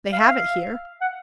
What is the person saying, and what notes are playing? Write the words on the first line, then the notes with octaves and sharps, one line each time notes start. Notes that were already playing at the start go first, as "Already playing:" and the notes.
They have it here.
F5
E5
F5
F#5